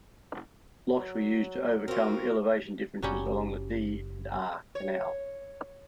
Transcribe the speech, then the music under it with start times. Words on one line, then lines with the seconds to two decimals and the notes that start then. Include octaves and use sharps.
Locks were used to overcome elevation differences along the D and R canal.
0.98 F#3
1.88 C4 F4 F#4 A#4
3.02 F#1 F#3 G3 C#4
4.75 C#5